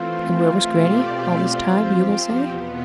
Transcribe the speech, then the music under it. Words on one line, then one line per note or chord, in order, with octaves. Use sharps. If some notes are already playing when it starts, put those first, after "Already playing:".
And where was Grannie all this time, you will say?
Already playing: E3 A3 C4 F4
B2 A3 C4 G4 D5
F3 C4 G4
E2 B2 B3